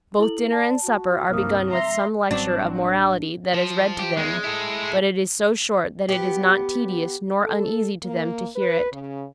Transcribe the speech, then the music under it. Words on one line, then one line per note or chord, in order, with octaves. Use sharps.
Both dinner and supper are begun with some lecture of morality that is read to them; but it is so short that it is not tedious nor uneasy to them to hear it.
E4 A4 F#7
D5 A5
F#4
C2 G2 A#3 D#6 F6
E5 A#5 C6
A1 F#3 G3 C4 D4 F#4
F3
G4
E2 G#3
E4 A4
B3 G4
A4
A#3
B4
C#3